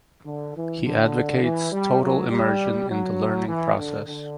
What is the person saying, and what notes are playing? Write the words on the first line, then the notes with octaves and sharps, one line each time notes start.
He advocates total immersion in the learning process.
D3
E3
D3
E3
G3
F#3
G3
F#3
E3
D3
D3